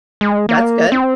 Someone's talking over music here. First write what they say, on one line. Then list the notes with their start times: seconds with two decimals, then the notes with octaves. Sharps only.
That's good.
0.21 G#3
0.49 A#3
0.92 C4